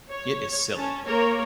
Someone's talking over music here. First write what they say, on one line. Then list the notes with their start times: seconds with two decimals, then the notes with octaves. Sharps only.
It is silly.
0.10 C#5
0.73 C#4 A5
1.06 A#3 A#4 C#5